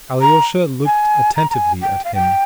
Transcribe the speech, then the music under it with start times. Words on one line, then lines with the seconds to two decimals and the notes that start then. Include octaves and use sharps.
Alyosha looked attentively at him.
0.21 A#5
0.86 G#5
1.36 A#5
1.50 A#5
1.54 G#5
1.82 G5
2.04 F5
2.15 G5